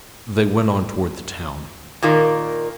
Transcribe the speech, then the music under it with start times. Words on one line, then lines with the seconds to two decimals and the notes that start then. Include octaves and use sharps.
They went on toward the town.
2.03 A#2 D#3 A#3